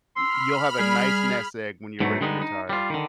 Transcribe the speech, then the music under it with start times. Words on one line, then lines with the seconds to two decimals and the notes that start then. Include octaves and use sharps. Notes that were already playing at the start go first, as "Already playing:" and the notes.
y you'll have a nice nest egg when you're ready to retire.
0.16 B5 C6 E6 F6
0.79 G3 G#4
2.00 G#2 B2 F#3 A3
2.21 D3 G3 G#3 B3 D4 D#4
2.42 D#4
2.69 G3 F4
2.90 D3 D#3